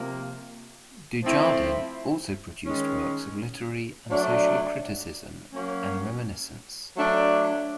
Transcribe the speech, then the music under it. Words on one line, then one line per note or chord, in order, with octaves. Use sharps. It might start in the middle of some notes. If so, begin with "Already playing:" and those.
Dujardin also produced works of literary and social criticism and reminiscence.
Already playing: C3 F3 A#3
F3 A3 C4 E4
D#3 G#3 C#4
F#3 A3 D4
F#3 A#3 C#4
F#3 A3 D4